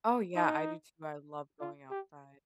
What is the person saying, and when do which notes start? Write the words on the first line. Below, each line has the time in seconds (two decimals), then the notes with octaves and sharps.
Oh, yeah. I do too. I love going outside.
0.36 D#4
1.61 F4
1.91 G4